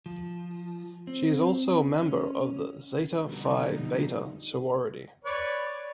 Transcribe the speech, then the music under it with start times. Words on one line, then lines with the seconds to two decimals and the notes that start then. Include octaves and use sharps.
She is also a member of the Zeta Phi Beta Sorority.
0.06 F3
1.07 C4
2.01 C#4
3.22 F2 B2 D3 G3 D#4
5.25 B4 C#5 D5